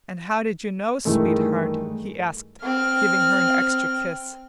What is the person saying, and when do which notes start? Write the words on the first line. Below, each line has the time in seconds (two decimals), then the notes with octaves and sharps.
"And how did you know, sweetheart?" he asked, giving her an extra kiss.
1.05 G2 D#3 E3 G#3 A3
2.63 C4 F6